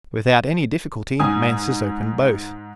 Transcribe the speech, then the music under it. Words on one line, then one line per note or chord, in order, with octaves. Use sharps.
Without any difficulty Mansus opened both.
G#2 G#5 D#6